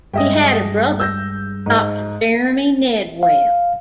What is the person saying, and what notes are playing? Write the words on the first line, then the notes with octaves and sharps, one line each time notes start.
He had a brother, Doctor Jeremy Nedwell.
G2 G#3 G#4 D#5 E5 G5
E6 G6 A#6
G#2
F5